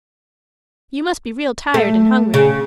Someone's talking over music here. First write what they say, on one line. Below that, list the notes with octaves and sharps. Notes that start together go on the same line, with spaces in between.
You must be real tired and hungry.
A3
C#3